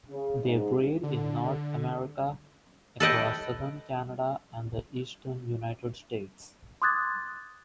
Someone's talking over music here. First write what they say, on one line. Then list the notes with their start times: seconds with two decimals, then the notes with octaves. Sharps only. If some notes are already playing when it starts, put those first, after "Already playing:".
They breed in North America, across southern Canada and the eastern United States.
0.10 C#3
0.42 G#2
1.03 D3
3.00 A4 B4 D#5 G5
6.82 C6 D6 D#6 F#6 G#6 A6